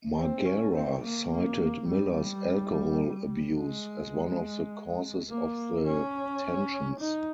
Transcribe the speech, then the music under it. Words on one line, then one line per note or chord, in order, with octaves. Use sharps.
Margera cited Miller's alcohol abuse as one of the causes of the tensions.
C4
C#4
C4
A#3
A#3
G3
G#3
A#3
C#4
D#4